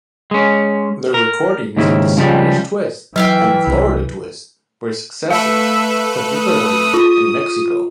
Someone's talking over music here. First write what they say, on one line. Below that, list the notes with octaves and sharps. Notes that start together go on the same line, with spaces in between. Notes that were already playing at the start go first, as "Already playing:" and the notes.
Their recordings of "The Spanish Twist" and "Florida Twist" were successes, particularly in Mexico.
G#3 C#4
A#4
D#2 G#2 C#3 E4
C#3 F3 G3 G#3
E3 F#3 E5 F5 G5
C2
A3 A4 B4 E5 F5
D#6
F4